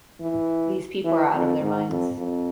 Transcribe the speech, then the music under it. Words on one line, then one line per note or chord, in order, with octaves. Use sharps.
These people are out of their minds.
E3
E3
F2
G#2
F2
F2